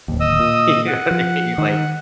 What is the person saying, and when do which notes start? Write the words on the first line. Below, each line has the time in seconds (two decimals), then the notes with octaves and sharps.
You know what I mean? Like
0.08 D1 G#1 D#2
0.20 D#5 D#6 E6
0.40 A#2
0.87 F#5
1.11 F3
1.58 D#3